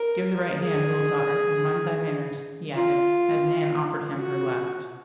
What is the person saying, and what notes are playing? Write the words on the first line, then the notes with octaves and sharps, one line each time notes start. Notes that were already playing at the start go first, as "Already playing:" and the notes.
"Give the right hand, little daughter, and mind thy manners," he added, as Nan offered him her left.
Already playing: A#4
G#4
F4
F#4